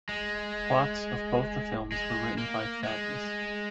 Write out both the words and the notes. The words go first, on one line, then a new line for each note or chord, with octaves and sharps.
Plots of both the films were written by Phadnis.
G#3
G#3
A#3
G#3